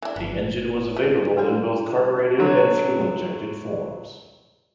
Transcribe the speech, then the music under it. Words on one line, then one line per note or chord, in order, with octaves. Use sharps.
The engine was available in both carburetted and fuel-injected forms.
E3 D4
G1 B3
A3
G3 D4 G4 A4
D3 F#3